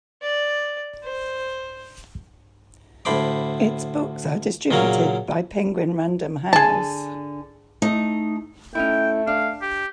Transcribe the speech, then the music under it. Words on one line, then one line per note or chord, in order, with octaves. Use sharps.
Its books are distributed by Penguin Random House.
D5
C5
D2 A2 C5 B5 D6
A#2 C#3 F#3 C#4 A#4
D3 G#4 G#5 A5
A3 D#4
A3 C#4 D#4 E4 G5
D4 F5
G4